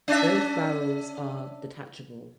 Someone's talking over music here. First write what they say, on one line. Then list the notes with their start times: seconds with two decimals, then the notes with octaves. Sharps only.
Both barrels are detachable.
0.08 C#4 D4 E5